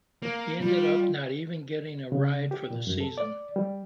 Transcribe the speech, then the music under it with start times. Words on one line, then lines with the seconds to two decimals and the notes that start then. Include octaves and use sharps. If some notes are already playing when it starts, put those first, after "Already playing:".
He ended up not even getting a ride for the season.
0.23 A#3
0.61 G3 F4
2.12 C#3
2.51 G4
2.71 A#2
2.87 F#2
3.01 A4
3.18 D5
3.56 G3